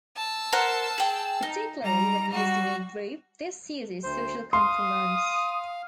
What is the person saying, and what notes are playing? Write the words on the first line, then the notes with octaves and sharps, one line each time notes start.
Particularly when used in a group, this uses social conformance.
A5 E6
A#4 C5 F#5
G#4 G5
D#4
G3 A#5
G3 F#4
D2 C5
F5 C6 D#6